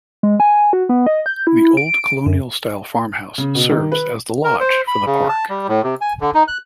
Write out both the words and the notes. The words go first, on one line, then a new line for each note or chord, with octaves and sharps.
The old colonial-style farmhouse serves as the lodge for the park.
G#3
G#5
F#4
B3
D#5
G6
E4
D7
F#2
C#3
B2
D#3
B4
A#4
C5
B5
C#3
A5
G3
A2
C3
G#5
D3
D#4
F#6